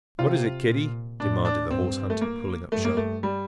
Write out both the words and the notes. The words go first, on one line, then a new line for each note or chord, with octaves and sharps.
"What is it, kiddie?" demanded the horse-hunter, pulling up sharply.
C3 F4
A#2
A2 D4
D4
G2 C4
A3
A#3
G2 A3
A#3
A3
G3